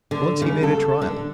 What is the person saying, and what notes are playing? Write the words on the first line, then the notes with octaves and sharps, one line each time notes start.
Once he made a trial.
D3
C#3
A4
D3